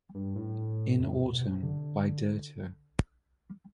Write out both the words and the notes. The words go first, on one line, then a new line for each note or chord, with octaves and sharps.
In Autumn by Dirter.
G2
A2
F2
B2
B2
C3
D3